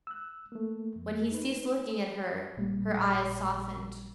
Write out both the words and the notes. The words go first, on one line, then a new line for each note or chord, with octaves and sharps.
When he ceased looking at her, her eyes softened.
E6 F#6
A3 A#3
F2
D#4 B4
A1 A#2 G3